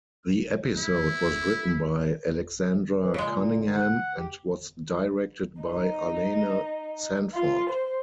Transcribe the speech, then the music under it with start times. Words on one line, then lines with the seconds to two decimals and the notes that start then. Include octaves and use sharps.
The episode was written by Alexandra Cunningham and was directed by Arlene Sanford.
0.77 E4
2.95 E3
3.14 A#2 C#3 G#3
3.61 D3 D#3
3.74 F#5
4.16 G4
5.61 D#4
7.33 F4
7.68 C5